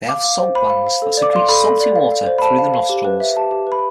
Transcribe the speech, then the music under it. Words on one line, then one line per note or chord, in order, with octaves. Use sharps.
They have salt glands that secrete salty water through the nostrils.
F5 D6
F5
C5
C5 B5
F5
F5
A4
D5
D6
F5 C6
A4 B5
A4
D5
F5
F5
C5
B5
C5 A5
F5
F5
G4
B4
E5
G4 A5
G4
B4 B5